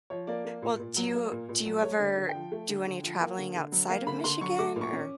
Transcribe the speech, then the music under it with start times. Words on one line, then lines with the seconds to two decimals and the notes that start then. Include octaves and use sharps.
well, do you do you ever do any traveling outside of Michigan? Or
0.10 F3 C#5
0.27 A#3 D5
0.45 A#3
0.62 A#2
0.79 A#2
0.96 F#3
1.14 A#3
1.32 A#2
1.49 A#2
1.66 F#3
1.83 A3 C#5
2.00 D3
2.05 D5
2.18 D3
2.29 G5
2.35 F3
2.52 A3
2.69 D3
2.87 D3
3.03 F3
3.21 A#3
3.38 D3
3.55 D3
3.72 F#3
3.89 A#3 F5
4.07 D3 B5
4.24 D3 C6
4.41 F#3 C#6
4.59 A3 D6
4.76 A#2
4.81 C#6
4.93 C#4